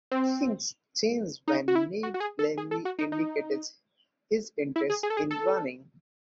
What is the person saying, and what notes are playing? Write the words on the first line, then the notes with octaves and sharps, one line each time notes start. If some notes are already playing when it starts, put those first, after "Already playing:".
Things changed when Neil Blaney indicated his interest in running.
C4
D#4
F#4
E4
F#4
F#4
G#4
A4
G#4
A4
F#4
D#4
D#4
E4
G#4
G#4
A4
G#4
A4